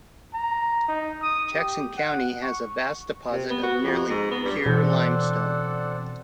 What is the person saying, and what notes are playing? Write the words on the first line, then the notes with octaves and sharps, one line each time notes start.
Jackson County has a vast deposit of nearly pure limestone.
A#5
D#4
D#6
G4
F#5
C#6
C3
B3
F#4
F2
G#2
B3
G2
B2 E3 C4 D4 A4 C5 D5 F#5